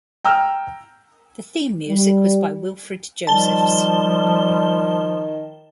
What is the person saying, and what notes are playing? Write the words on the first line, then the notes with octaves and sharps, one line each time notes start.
The theme music was by Wilfred Josephs.
G5 A#5 E6 F6
G3
D#3 F3 G3 A5 G7